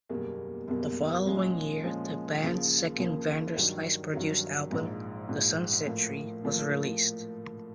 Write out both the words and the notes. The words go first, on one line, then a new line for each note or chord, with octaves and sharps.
The following year, the band's second Vanderslice-produced album, "The Sunset Tree", was released.
F#1 E2 B2 G3 A#3
F#1 E2 B2 G3 A#3
A#2 F3 G#3 C#4
A#2 F3 G#3 C#4
D#2 C#3 F3 A#3
D#2 C#3 F3 A#3
G2 D#3 F#3
G2 D#3 F#3
A#1 G#2 F3
A#1 G#2 F3
A2 F3 A#3
A2 F3 A#3